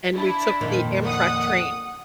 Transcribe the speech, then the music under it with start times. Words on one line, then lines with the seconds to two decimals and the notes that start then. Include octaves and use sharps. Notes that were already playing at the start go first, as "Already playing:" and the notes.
and we took the Amtrak train,
0.14 D4 E4
0.61 F2 A#2 D#3
1.05 F#5 D#6